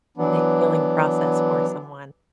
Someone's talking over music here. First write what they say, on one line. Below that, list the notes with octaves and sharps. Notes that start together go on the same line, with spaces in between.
the healing process for someone.
E3 F#3 B3 D4